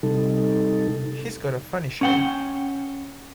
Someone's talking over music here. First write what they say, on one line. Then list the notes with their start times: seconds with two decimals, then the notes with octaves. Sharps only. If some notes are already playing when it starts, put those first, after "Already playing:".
He's got a funny show.
0.03 C3 G3 D#4 A4
2.01 C#4 F#5 G5